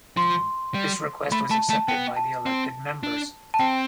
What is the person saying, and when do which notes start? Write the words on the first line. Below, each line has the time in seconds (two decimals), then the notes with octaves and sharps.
This request was accepted by the elected members.
0.17 F3 C6
0.74 G3
1.32 A3 B5
1.50 A3 A5
1.69 A3 A5
1.88 B3 G5
2.16 A5
2.46 C4
3.03 D4
3.54 A5
3.60 C4 G5